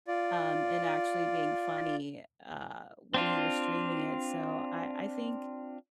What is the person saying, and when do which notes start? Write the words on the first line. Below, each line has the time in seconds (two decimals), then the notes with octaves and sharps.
um, and actually being funny, uh, when he was streaming it, so I I think
0.08 F4 D5
3.14 C4 D4 F4